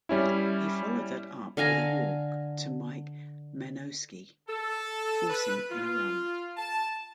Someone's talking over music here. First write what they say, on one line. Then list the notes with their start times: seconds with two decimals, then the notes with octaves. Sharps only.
He followed that up with a walk to Mike Menosky, forcing in a run.
0.09 G3 C#4 E4
1.57 D3 F5 G#5 A#5
4.49 A4
5.30 B4
5.71 F4
6.57 A5